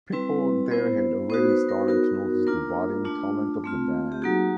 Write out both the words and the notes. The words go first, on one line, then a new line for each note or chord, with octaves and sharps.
People there had already started to notice the budding talent of the band.
G3 C4 E4 B4
B3 E4 C5
B3 D#4 F#4 C5
B4
A#4
B3 D#4 F#4 A#4
A#3 D4 F4 A#4
A3 D4 F4
A3 C4 F4
G4
F#3 A#3 D#4 F#4 G#4